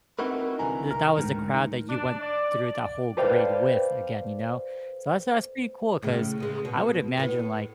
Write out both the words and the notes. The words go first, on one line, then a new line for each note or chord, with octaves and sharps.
that that was the crowd that you went through that whole grade with, again, you know? So, that's a that's pretty cool 'cause I would imagine, like,
C4 D#4 E4 F#4 A#4 B4
C2 D3 E3 G#5 A#5
A#4
D2 G#2 D#3
D4
D5
A4 B4 C5 D5 F5 G5
A2 C#3
C#3 G#3
B2
A2 B3